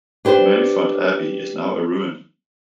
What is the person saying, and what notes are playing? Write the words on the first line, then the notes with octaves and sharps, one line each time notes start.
Mellifont Abbey is now a ruin.
D4 G4 B4 C5 D5